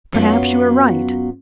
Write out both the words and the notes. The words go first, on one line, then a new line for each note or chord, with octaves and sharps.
Perhaps you are right.
F#2 F#3 B3 F4